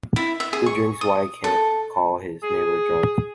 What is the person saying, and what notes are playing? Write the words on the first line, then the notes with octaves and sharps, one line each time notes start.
Who drinks why can’t call his neighbor drunk.
E4
E5
G#4
C#6
D#6
A4
G#4